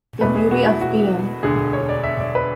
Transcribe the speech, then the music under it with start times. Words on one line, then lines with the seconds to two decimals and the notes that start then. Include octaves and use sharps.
The beauty of being.
0.21 E1 E2 B2 A3 B4
0.36 G#4
0.51 F#4
0.66 E4
0.81 F#4
1.43 E1 D2 D3 G#4
1.73 C#5
1.89 D5
2.03 E5
2.20 D5
2.35 B4